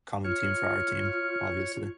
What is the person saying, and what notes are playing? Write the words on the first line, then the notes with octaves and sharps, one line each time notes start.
common team, for our team, obviously.
F4 C#5 F6